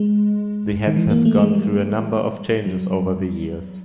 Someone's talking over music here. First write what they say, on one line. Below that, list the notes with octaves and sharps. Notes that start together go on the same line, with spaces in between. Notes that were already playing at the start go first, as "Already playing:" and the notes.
The heads have gone through a number of changes over the years.
Already playing: G#3
D#3
E3
A#3
A3
G#3
G3
F#3